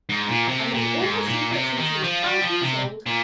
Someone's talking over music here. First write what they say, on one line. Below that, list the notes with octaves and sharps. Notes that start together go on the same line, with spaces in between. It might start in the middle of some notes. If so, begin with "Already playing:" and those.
I've known all her secrets since she was twelve years old.
G#2
A#2
C3
A#2
G#2
A#2
C3
D#3
F3
G3
F3
C3
A#2